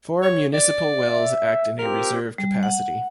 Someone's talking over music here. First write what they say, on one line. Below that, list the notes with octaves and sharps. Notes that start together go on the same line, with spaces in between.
Four municipal wells act in a reserve capacity.
C#5
D5
E5
C4 F4 G4 A#4
G3
F#5